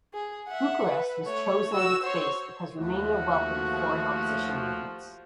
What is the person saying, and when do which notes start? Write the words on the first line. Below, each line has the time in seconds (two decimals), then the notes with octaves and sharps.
Bucharest was chosen as its base because Romania welcomed foreign opposition movements.
0.14 G#4
0.49 E5 F#5
0.88 B4
1.24 A3 C#5
1.73 F#4 E6
2.04 C5 C#5
2.79 D#2 F3 A3 F#4